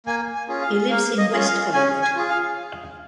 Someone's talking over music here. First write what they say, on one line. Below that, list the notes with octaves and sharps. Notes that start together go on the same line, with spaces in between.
He lives in West Hollywood.
A#3 G#5
G#5
C#4 F4 G#4
F5
A#3 F5
D#5
C#4 F4 G#4
F5
C#4 G#5
G#5
F4 G#4
F5